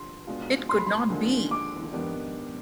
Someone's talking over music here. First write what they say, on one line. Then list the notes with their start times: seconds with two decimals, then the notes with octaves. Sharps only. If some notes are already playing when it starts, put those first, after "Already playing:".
It could not be!
Already playing: G2 D3 F3 C6
0.27 B2 G#3 B3 D4 F4
0.69 C6
0.78 B5
0.86 C6
1.10 D#2 D3 F3 G#3 D4
1.51 D6
1.92 G#2 D#3 B3 D4 G4